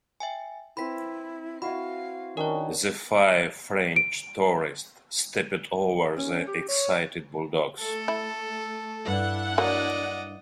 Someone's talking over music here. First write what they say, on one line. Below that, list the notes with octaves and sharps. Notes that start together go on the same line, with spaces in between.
The five French tourists stepped over the excited bulldogs.
E5 G5 G#5
C4 E4 B4 B5 B6
E4 F#4 F5 B5
D#3 C#4 D4 A#4 C#5
D7
C#4
G4
C#5
A3 A4
E4
G2 D4 E4 F#5
F#3 A#3 D5 D#5